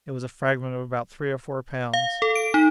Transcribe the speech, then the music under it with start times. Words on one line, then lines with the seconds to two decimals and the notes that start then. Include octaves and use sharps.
It was a fragment of about three or four pounds.
1.94 F5
2.22 A4
2.35 D7
2.54 D#4